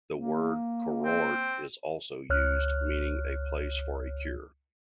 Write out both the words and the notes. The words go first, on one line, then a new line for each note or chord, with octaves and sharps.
The word "Kurort" is also used, meaning a place for a cure.
A#3
C4
C#2 C#5 F6 F#6